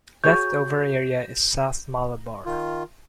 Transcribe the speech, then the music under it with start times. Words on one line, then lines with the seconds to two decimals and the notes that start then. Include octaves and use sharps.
Left-over area is South Malabar.
0.24 F#4 G#4 C#5 G6
2.46 D#3 F4